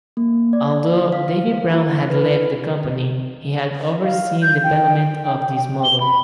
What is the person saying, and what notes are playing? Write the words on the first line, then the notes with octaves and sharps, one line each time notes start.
Although David Brown had left the company, he had overseen development of this model.
A#3
D5
F5
E4
B4
F5
G6
G5
G5
G5
G7
B5